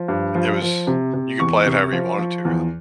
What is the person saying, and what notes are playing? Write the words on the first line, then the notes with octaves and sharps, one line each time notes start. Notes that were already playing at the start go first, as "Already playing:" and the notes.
It was you could play it however you wanted to, really.
Already playing: F3
G2
F3
F3
C3
C3
E2 C#6
C3
F3
F3
E2